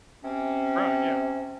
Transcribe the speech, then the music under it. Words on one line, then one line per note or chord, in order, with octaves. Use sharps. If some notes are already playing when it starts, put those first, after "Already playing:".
Right, yeah.
C3 C4 C#4